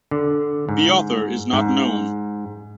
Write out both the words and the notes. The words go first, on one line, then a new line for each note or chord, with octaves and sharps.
The author is not known.
D3
G#2
G#2